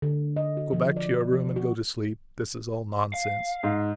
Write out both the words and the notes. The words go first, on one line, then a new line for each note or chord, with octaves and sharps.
"Go back to your room and go to sleep. This is all nonsense."
D3
D#5
F#4
F3
D5
F3
F#4
F5
G#2